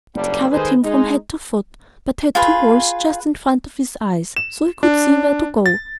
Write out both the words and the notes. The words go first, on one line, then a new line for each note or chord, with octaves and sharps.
It covered him from head to foot, but had two holes just in front of his eyes, so he could see where to go.
F#1 G3 A#3 D4
D#3 G#3 G#4 A4 B4 C5
G#3 D#4
F4 G#4 B4 B5
E7
D4
A6